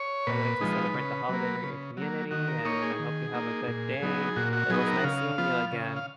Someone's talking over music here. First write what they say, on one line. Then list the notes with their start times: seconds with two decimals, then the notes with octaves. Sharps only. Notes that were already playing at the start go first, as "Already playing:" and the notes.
how you like to celebrate the holidays with your community, and I hope you have a good day. It was nice seeing you again.
Already playing: C#5
0.27 A#2 B4
0.61 F3 G#3 D#4
0.94 C#3
1.29 F#3 A#3
1.64 C#3
1.97 F#3 A#3
2.31 D#3 F#4
2.48 A#4
2.65 A#3 D#4 C#5
2.82 G#4
3.00 D#3
3.34 A#3 D#4
3.67 A#2
4.02 F#3 B3 D#4
4.36 A#2 F#4
4.53 F#4
4.70 F#3 B3 D#4 G#4
4.87 A#4
4.98 F#5
5.04 C#3 F5
5.38 F3 B3 F4
5.72 C#3
5.96 F5